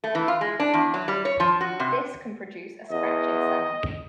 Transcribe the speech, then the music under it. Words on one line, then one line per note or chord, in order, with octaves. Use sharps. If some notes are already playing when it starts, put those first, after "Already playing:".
This can produce a scratching sound.
A3
E3
F4
G#3
D4
E2
F#3
G3
C#5
F3
F#4
C3
E2 D#5